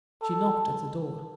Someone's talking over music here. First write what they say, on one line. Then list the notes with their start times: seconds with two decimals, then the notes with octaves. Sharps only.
She knocked at the door.
0.22 A4